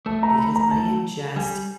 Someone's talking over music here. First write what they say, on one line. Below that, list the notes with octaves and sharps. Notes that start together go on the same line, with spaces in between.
because I am just
A3 A5
A#5
B5
A#5
A5
G3 G#5